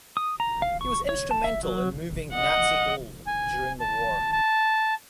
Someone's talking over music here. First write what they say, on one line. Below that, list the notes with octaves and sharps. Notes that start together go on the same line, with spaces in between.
He was instrumental in moving Nazi gold during the war.
D#6
A#5
F5
C#6
C#5
A5
E5
F#3
D#5 F#5
G#5
A5
A5